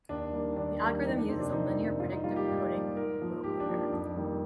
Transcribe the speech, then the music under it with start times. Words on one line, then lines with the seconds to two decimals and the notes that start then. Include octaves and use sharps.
The algorithm used is a linear predictive coding vocoder.
0.09 D#2 D4
0.33 D#3 G3 A#3
0.56 D#2 D4
0.81 D#3 G3 A#3
1.05 F2 D#4
1.17 D4
1.29 C3 D#3 A#3 C4
1.41 D4
1.53 F2 D#4
1.76 C3 D#3 A#3
2.00 G#2 F4
2.12 D#4
2.24 G3 A#3 F4
2.36 G4
2.48 G#2 D5
2.72 G3 A#3
2.97 G#2 A#4
3.20 F3 A#3
3.44 G#2 G4
3.60 D4
3.68 F3 A#3
3.92 F2
4.16 D#3 G3 A#3